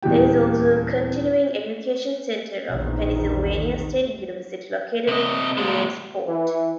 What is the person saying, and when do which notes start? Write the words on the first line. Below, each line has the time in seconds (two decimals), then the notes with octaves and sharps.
There is also a continuing education center of Pennsylvania State University located in Williamsport.
0.02 D#1 E2 E3 G4 G5
2.70 A#1 E2 D#3
5.08 C3 D#5
5.58 A#2 G#3
6.27 E3